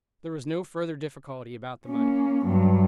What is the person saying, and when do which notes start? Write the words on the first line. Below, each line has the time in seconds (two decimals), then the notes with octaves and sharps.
There was no further difficulty about the money.
1.87 A#3 C#4
2.46 G2 F#3